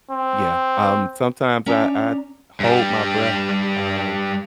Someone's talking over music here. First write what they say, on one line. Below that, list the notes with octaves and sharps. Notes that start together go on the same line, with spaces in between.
Yeah, um, sometimes I I hold my breath, um,
C4
C#4 D4 A#5
G2 G3